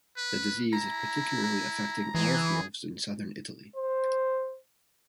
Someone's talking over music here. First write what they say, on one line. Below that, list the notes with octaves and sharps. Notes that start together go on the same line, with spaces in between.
The disease is particularly affecting olive groves in Southern Italy.
B4
E4 A#5
A#5
E3 G#4
C5